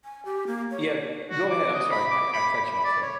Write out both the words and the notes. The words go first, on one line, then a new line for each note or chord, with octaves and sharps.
yeah, go ahead. I'm sorry. I I cut you off there.
G#5
G4
A#3
C#5
F#4
D6
D#5
B5
D6
B5
B5
D5
C#5